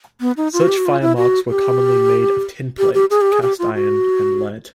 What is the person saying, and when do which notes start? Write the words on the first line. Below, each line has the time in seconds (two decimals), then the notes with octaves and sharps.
Such fire marks were commonly made of tinplate, cast iron and lead.
0.21 B3
0.37 D#4
0.53 F4
0.61 F#4
0.69 G4
0.77 F#4
0.86 F4
1.01 E4
1.17 F#4
1.49 G4
2.78 G4
2.94 G4
3.10 G#4
3.21 G4
3.32 G#4
3.42 G4
3.59 F4
3.75 F#4